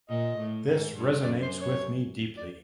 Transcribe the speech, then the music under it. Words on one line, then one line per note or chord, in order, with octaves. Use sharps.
This resonates with me deeply.
A#2 D#5
A2
G#2
G2
F#2 D5
C5
C#5
D5